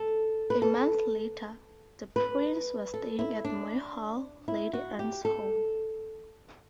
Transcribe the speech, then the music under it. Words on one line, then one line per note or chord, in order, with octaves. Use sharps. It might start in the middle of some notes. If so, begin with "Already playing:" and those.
A month later the Prince was staying at Moy Hall, Lady Anne's home.
Already playing: A4
B4
A4
B4
A4
E4
D4
E4
F#4
G4
A4